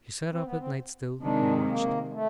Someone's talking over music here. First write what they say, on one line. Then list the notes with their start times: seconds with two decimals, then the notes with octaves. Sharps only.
She sat up at night still, and watched.
0.30 C4
0.44 B3
0.58 C4
1.21 C3 D#3 G#3 D4
1.67 A#3
2.08 G#3
2.13 A3